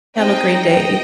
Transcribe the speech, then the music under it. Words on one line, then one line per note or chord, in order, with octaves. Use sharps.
have a great day
C4 D#4 G4 D#5 G5
D#5 G5